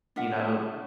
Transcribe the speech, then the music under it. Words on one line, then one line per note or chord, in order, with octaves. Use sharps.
you know,
D4 F4 E5 F#5